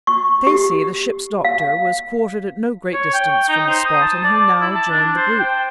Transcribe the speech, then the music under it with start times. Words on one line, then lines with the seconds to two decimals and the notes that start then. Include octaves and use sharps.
Stacey, the ship's doctor, was quartered at no great distance from the spot, and he now joined the group.
0.07 C#6
0.47 G4
1.45 F5
2.94 C#5
3.14 G5
3.49 D#4
3.68 C5
3.86 D#6
4.01 A5
4.24 D5
4.61 E4
4.75 A5
4.91 D4
5.17 C5
5.39 G5